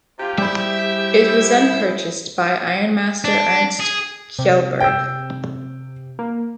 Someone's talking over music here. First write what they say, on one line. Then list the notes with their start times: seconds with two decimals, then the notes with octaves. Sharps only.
It was then purchased by Ironmaster Ernst Kjellberg.
0.19 C3 F4 G4
0.38 G3 E4 G#4 C5 E5 B5
3.24 D4
3.79 G#4
4.39 C3
4.80 G5 E6
6.19 A#3